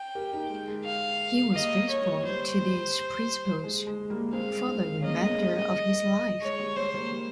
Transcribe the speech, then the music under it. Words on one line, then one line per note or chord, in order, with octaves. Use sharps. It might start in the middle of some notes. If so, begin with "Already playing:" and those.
He was faithful to these principles for the remainder of his life.
Already playing: G5
G4 A#4
D#4 G4
G#3
G#3
F5
G3 A#3 D#5
C#5
G3
G3 C5
G3
G#3
G#3
G3 A#3
G#3 C4 F5
G#3 C4
A#3 C#4 D#5
G#3
G3
G3
G#3 C#5
G3
G3 C5
G3 A#3
G3 A#3